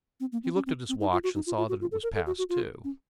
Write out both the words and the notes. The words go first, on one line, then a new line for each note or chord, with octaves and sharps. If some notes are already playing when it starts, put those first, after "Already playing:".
He looked at his watch and saw that it was past two.
C4
A#3
C4
C#4
C4
C4
D#4
F4
F#4
D#4
F4
F4
F#4
F4
A4
A#4
A4
F#4
F#4
F4
C#4